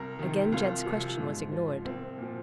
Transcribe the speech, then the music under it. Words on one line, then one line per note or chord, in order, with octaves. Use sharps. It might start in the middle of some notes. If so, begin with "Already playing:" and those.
Again Jed's question was ignored.
Already playing: C2 A#4
C3 D#3
C2 F4
C3 F3
G#2
F3
C2 C4
A#2 F3